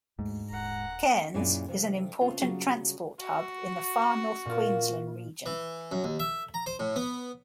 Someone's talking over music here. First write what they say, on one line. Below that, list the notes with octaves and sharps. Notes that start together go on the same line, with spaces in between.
Cairns is an important transport hub in the Far North Queensland region.
D#2 G#2 G#3 A3
D#1 F#5 A#5
F#2 A#2 E4 G#4 D5 G#5
C3 F3 G3
C#3 C4 F4 A4
C#3 F#3 G3 F4 F#4 G#4
F#4
A#2 F4
E3
F#2
D#2
E5
A#5
C5
A2
B3